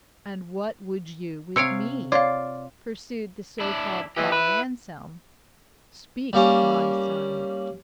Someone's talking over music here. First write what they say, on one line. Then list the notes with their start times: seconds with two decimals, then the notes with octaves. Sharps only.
"And what would you with me?" pursued the so-called Father Anselm. "Speak, my son."
1.56 C3 C#5 F5 E6 C#7 D7
2.12 F4 C#5 D5 F5
3.60 D4 E4
4.16 E3 G4 D#5
4.32 E4 B4
6.33 G3 A#3 C#4